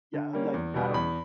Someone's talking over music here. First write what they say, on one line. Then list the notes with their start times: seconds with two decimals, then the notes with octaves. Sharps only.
yeah, like, I don't
0.14 D3
0.33 G3 A#3 C#4
0.54 E2
0.74 B2 G3 B3
0.94 E2 B5